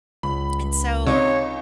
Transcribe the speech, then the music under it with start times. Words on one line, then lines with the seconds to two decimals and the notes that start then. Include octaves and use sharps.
And so
0.23 C#2 B5
1.07 C#2 C3 D#4 C#5